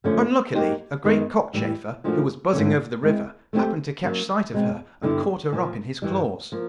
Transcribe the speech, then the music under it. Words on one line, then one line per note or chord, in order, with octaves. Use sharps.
Unluckily, a great cockchafer, who was buzzing over the river, happened to catch sight of her, and caught her up in his claws.
F#2 D3 F3 A3 C#4
F#3 A#3 D#4 G4 C5
F#2 D#3 G#3 B3
A2 E3 G3
A#2 F3 A3 D4 F#4
G#2 E3 A3 C#4
G#3 C4 E4
A3 C4 E4 G4 C5
F#3 A#3 C#4
B2 G#3 C4
G2 D3 G3 B3 E4
A#2 F3 A#3
G2 E3 G3
F3 A#3